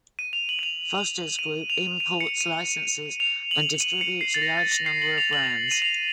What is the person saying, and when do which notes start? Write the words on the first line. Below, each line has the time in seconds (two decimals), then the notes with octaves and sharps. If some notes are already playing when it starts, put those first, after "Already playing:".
Foster's Group imports, licenses, and distributes a large number of brands.
0.19 D#7
0.33 F7
0.49 F#7
0.59 D#7
0.63 F7
1.39 D#7
1.70 F7
2.00 D#7
2.21 C#7
2.41 D#7
3.20 F7
3.51 F#7
3.80 D#7
4.01 C#7
4.21 C7
4.34 A6
4.42 A#6
4.57 A6
4.72 A#6
4.86 C7
5.02 F#7
5.18 F7
5.33 F#7
5.47 F7
5.71 D#7
5.82 F7